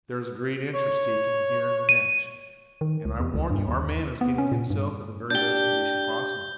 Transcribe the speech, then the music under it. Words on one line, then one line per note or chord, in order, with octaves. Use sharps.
There is a great interest taken here in the match, and I warn you our man is getting himself in the very best condition possible.
C#5
D#7
D#3
C#2
E2
C#2
G2
D#2
B3
C#4
A#2
G2
D4 G4 G6 G7